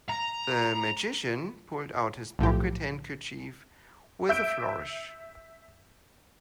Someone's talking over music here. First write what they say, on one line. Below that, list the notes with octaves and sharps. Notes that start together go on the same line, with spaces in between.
The magician pulled out his pocket handkerchief with a flourish.
A#5
B1 A2 F3 G4
E5 G6 D7